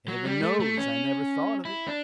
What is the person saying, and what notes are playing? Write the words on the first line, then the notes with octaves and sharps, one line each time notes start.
Heaven knows I never thought of it.
F#3
G3
A3
A3
C#4
E4
D4